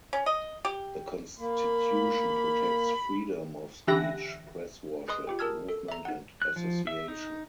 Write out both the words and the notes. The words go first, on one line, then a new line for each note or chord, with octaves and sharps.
The constitution protects freedom of speech, press, worship, movement, and association.
C#4
D#5
G4
A#3 B5
D3 E3 G4 E5 F#6 A#6
G#4 B4 D#5 C6 D#6
F4 G4 G5
G#4 A#4 A5 E6 F6 G#6
A4
E5 A#5
D#4 F#5
F#6
F3
E5
D#4